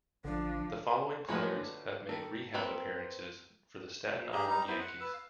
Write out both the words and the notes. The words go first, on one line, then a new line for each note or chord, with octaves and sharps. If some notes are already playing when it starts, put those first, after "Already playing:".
The Following players have made rehab appearances for the Staten Island Yankees.
A1 D3 F3 D4
A2 F3 G#3 F#4 B4 C#5
D3
D#3 A4
A#3 C4 B4
G4 G#4 A#5
G3 D#4 A#5
B3 E4 C5
F#5
B4 E6
F5